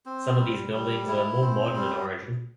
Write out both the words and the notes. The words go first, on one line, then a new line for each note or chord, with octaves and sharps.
Some of these buildings are more modern in origin.
C4
G3
G3
E4
C4
G3